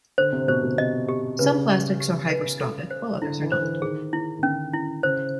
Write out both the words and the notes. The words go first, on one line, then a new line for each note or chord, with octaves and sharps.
Some plastics are hygroscopic while others are not.
D3 C5
C3
B2 C5
B2
C3 D#5
G4
C#3 B4
G4
G4
B4
A4
C5
D3 E4
E3
C5
E3
D#3 G#4
E4
D#3
D3 C#4
E4
C#3 C5